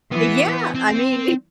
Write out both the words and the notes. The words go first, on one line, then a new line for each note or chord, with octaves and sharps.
Eh yeah. I mean,
E3 B3
C4